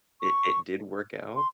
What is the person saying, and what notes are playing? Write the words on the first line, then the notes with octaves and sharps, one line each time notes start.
it it did work out.
C#6
C6